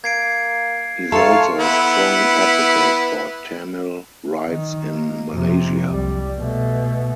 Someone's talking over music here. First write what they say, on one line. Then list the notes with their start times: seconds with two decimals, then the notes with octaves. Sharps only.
He is also a strong advocate for Tamil rights in Malaysia.
0.04 A#3 G#6 C7 D7
1.12 A3 F4 A4 C#5 F5 A#5 C#7
1.59 B3 E4
4.48 D#3
4.91 A#3
5.31 F2 C3
5.90 C2 G3
6.38 B2 A3